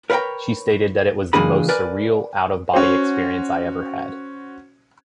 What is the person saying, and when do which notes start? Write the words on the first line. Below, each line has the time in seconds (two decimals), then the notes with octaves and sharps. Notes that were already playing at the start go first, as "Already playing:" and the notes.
She stated that it was the most surreal, out-of-body experience I ever had.
0.10 A#4 B4 C#5 F5 G5 A#5
1.33 C#2 E3 A#3 D4 G#4 B5
1.69 A#4 B4 D5 G#5
2.74 C#4 F#4 C5